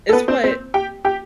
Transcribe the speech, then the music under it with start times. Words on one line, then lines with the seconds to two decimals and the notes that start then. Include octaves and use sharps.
it's what
0.09 A4
0.13 B3 B4
0.28 C4 C5
0.44 C4 C5
0.74 G4 G5
1.05 G4 G5